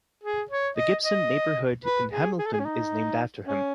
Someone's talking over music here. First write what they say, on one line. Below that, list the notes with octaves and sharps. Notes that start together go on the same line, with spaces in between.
The Gibson neighbourhood in Hamilton is named after him.
G#4
C#5
D#5
D#5
B4
G#4
G#4
A4
G#4
C#4
D#4
C#4